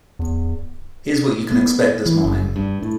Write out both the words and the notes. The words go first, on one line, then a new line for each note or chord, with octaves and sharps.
Here's what you can expect this morning.
E2
B3
E3
F#1
G2
A2